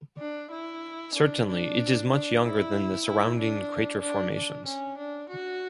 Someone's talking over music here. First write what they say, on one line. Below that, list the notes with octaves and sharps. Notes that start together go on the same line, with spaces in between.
Certainly it is much younger than the surrounding crater formations.
D4
E4
D4
D4
D4
E4
E4
D4
D4
D4
C#4
D4
F#4